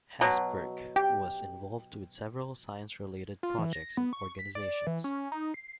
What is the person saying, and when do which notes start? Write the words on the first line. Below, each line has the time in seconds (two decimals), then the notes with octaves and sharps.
Hesburgh was involved with several science-related projects and organizations.
0.21 B2 F#3
0.96 G4 G5
3.43 F4
3.59 E3
3.73 A#6
3.97 B3
4.13 C#6
4.39 B6
4.55 D5
4.87 E3
5.04 C#4
5.32 D#4
5.54 C7